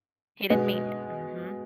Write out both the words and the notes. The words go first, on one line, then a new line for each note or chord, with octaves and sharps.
He didn't mean it. Mhm.
B2 G#3 B3